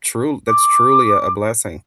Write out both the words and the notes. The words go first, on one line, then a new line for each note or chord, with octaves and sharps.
tru that's truly a a blessing.
D6